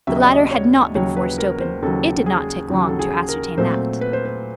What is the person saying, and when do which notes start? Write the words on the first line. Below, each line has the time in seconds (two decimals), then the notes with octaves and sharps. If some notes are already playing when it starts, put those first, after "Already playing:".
The latter had not been forced open--it did not take long to ascertain that.
0.07 D#2 C#3 F#3 E5
0.16 D#5
0.24 D5
0.33 D#5
0.51 C#5
0.95 D#2 C#3 F#3 C#5
1.17 B4
1.38 A#4
1.60 C5
1.82 D#2 C#3 F#3 A4
2.26 G#4
2.70 D#2 C#3 F#3
2.88 A4
2.99 G#4
3.28 A#4
3.58 A#2 F#3 A3 C4 C5
4.01 B4
4.13 C5
4.25 B4